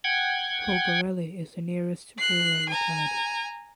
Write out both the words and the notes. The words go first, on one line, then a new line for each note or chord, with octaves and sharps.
Pogorely is the nearest rural locality.
F#5 G5 G#6
F#6 C7
G#5 A#5